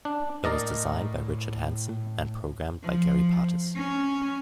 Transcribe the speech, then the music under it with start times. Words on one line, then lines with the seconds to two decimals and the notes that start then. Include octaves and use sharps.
It was designed by Richard Hanson and programmed by Gary Partis.
0.05 D4
0.45 A2 A#4 D5 D#5
2.82 F3
3.76 C#4